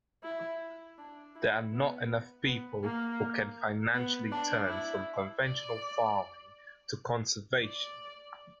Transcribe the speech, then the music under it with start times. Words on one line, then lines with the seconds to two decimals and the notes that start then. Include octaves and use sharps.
There are not enough people who can financially turn from conventional farming to conservation.
0.24 E4
0.98 D4
1.36 E4
1.73 B3
2.46 B3
2.84 A#3
3.94 B3
4.32 D4
4.69 E4
5.43 D5
7.65 D5